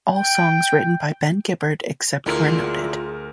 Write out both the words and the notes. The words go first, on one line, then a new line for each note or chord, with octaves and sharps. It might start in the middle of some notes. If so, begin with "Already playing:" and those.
All songs written by Ben Gibbard except where noted.
G5
D2 D3 E4 F4 G#4 A#4